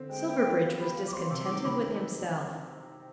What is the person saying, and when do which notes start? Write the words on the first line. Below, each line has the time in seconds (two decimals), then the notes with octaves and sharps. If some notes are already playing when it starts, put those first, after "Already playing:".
Silverbridge was discontented with himself.
Already playing: D3 C4
0.10 G#3 G5
0.27 B3 G5
0.45 B3
0.62 F4
0.79 G4 B5
0.97 G4
1.08 D6
1.13 C4 C6
1.31 C3 D6
1.49 D#3 D6
1.66 C3 B5